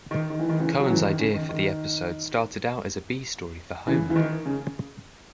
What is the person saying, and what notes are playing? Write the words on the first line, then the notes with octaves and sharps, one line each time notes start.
Cohen's idea for the episode started out as a B story for Homer.
D#3
D#3
E3
D#3
C#3 E3
F#3
C#3 E3
D#3
C#3
D#3
D#3
C#3 E3
E3
D#3
C#3